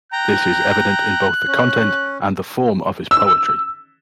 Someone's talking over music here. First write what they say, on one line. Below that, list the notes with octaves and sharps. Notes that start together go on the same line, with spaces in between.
This is evident in both the content and the form of his poetry.
G5 A#5 F#6
C#4
E6